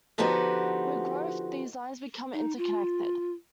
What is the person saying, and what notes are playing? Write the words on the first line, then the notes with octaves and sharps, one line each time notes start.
With growth these lines become interconnected.
D3 F3 B3 D#4 F#4 G4
D#4
F4